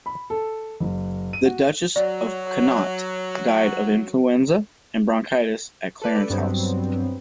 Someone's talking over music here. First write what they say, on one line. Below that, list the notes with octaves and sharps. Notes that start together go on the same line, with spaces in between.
The Duchess of Connaught died of influenza and bronchitis at Clarence House.
B5
A4
F#1
D#7
F#4
F#3 D5
A4 B4 D5
G2 F#3 B3 C4